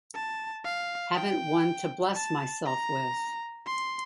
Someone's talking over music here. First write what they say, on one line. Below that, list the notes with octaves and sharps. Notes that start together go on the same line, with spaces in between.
Haven't one to bless myself with.
A5
F5
G5
A5
A#5
C6